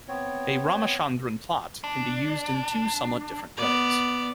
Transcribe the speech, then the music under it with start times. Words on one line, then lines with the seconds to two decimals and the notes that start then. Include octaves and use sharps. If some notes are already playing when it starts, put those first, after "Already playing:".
A Ramachandran plot can be used in two somewhat different ways.
0.08 B3 C4 C#5
1.84 D4
3.57 B3 D5